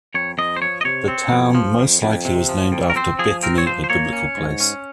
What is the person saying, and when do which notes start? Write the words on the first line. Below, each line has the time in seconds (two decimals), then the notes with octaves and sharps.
The town most likely was named after Bethany, a biblical place.
0.14 F2 C#5
0.38 F2 D#5
0.56 C5
0.61 F3 C#5
0.81 D#5
0.85 C3 C#5
1.08 C4
1.32 F2
1.55 F3
1.79 F2
2.02 F2
2.25 C3
2.49 F3
2.72 F2
2.90 A#4
2.96 C4 C5
3.19 F3 G#4
3.43 C4 A#4
3.58 C#5
3.66 F3 C5
3.84 C5
3.90 A#3 C#5
4.13 C#4
4.37 G#2
4.60 C#4